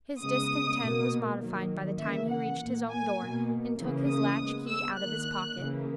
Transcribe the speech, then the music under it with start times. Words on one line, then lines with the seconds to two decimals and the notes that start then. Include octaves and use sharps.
His discontent was modified by the time he reached his own door, and took his latch-key out of his pocket.
0.21 C#3 G#3 B3 D#6
0.81 B2 A#3
1.40 D#3 F#3 A#3
1.99 C#3 E3 A#3 E5
2.29 F#5
2.59 A#2 A#3
2.89 G#5
3.19 B2 A#3
3.78 C#3 E3 A#3
4.07 D#6
4.38 C#3 G#3 B3
4.67 E6
4.97 D#3 A#3 F#6
5.57 C#3 E3 A#3